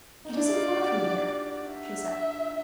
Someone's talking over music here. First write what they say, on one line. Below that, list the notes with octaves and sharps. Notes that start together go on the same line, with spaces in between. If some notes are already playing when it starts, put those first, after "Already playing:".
"It isn't far from here," she said.
D#4
D4 E4 D5
E4
D#4 F4
D#4 F4
F#4
F4 G4
E4 F#4
E5